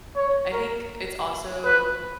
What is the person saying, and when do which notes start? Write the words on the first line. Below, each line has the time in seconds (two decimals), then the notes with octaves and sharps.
I think it's also
0.16 C#5
0.53 A#4
1.65 B4